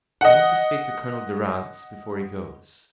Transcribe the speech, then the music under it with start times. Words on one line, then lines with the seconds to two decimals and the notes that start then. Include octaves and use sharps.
"I want to speak to Colonel Durrance before he goes."
0.21 D#5 F#5